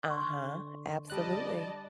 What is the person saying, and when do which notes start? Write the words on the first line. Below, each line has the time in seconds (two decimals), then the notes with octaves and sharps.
Uh-huh, absolutely.
0.10 D3 C6 C#6
1.10 G3 D5 D#5 A5 F#6